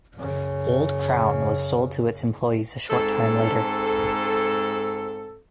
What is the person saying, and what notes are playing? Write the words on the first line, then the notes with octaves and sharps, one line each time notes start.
Old Crown was sold to its employees a short time later.
F#2 C#3
G#2 C4 A4